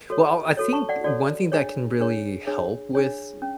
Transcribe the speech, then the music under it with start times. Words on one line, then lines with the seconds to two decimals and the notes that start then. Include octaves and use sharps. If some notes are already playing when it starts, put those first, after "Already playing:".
well, I I think one thing that can really help with
0.10 F#4 A4 C#5
0.57 F#4 A4 C#5
0.73 A5 C#6
0.89 D5 F#5
1.04 F#4 A4 C#5 D5
1.52 D4 G#4 C#5
2.00 D4 G#4 C#5
2.47 D4 G#4 C#5
2.95 D4 G#4 C#5
3.42 C#4